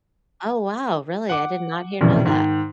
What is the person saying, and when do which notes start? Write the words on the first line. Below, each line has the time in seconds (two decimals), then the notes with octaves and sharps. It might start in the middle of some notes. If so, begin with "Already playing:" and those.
Oh, wow, really, I did not hear know that.
1.29 F#5 D6
2.01 E1 A#1 F2 C#3 E3
2.25 G#2 D#3